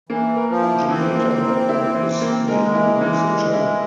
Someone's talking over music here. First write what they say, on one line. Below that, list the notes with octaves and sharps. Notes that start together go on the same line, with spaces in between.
Janata Network is the owner of the channel.
E3 A#3
A#4
F3
E4
E3 C4
A#3
A#4
E4
E3
A#3
G#3 A#4
E4
E3
G3
E4